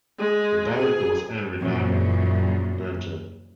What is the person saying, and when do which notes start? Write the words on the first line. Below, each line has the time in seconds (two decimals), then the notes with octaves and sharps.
The director was Henri Diamant-Berger.
0.19 G#3
0.74 G#4
1.59 F#2 A#2 C#3 E3 F3